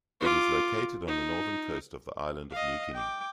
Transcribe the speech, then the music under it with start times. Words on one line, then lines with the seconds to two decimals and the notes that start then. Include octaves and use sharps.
It is located on the northern coast of the island of New Guinea.
0.20 F4 D6
1.08 D#4
2.52 D#5 F5
2.93 G5 D6